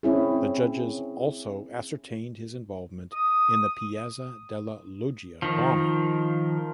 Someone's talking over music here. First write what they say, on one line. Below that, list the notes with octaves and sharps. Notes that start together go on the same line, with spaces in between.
The judges also ascertained his involvement in the Piazza Della Loggia bombing.
C4 C#4 E4 G#4
D#6
D#3 F3